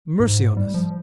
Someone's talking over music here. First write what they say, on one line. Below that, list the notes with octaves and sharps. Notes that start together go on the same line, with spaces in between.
Mercy on us!
G#2
G3
F3